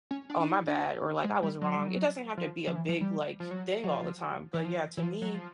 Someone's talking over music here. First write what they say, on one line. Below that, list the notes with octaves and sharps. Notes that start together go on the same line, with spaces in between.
"Oh, my bad," or, like, "I was wrong." It doesn't have to be a big, like, thing all the time, but yeah, to me,
C#4
D4
D4
D#4
D4
G#3
G3
F#3
G3
F#3
F3
F3
E3
F3
G3
F3
F#3
F#3
F3
E3
F3
E3
F3
F#3
F3